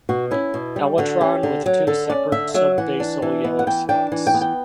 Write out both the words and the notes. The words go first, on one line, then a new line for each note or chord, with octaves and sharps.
Elytron with two separate subbasal yellow spots.
B2 F#4
C#4 E4
B2
G3
D3 F#4
C#4 G4
D3
F#3
D3 A4
C#4 D5
D3 E5
F#3 E5
E3 F#5
D4
E3
B3
F#5
E3 G5
D4 G5
E3
G5
B3
G5